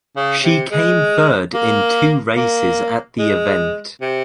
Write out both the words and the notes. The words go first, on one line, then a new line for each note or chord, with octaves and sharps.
She came third in two races at the event.
C#3
C3
G#3
A#3
A#3
G#3
C3